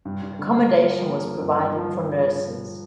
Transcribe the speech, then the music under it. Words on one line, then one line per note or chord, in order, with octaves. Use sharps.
Accommodation was provided for nurses.
G2
G2
D3
A#3
A#3
F3
A#3
A#3
G2
G2
F3
F3
F3